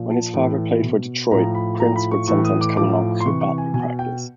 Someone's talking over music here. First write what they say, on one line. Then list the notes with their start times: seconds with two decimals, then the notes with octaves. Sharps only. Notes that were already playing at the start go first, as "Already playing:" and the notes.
When his father played for Detroit, Prince would sometimes come along for batting practice.
Already playing: A#2 F3
0.10 A5
0.34 A2 E3
0.82 B2
1.32 A2 F3 A#5
1.55 B5
1.80 A2 F3 A#5
1.96 B5
2.11 C#6
2.28 A2 E3 C#6
2.45 D#6
2.61 D6
2.77 A2 F3 D6
3.21 C6
3.26 C3 E3 C#6
3.41 C#6
3.58 G#5
3.74 B2 G#5
3.99 G5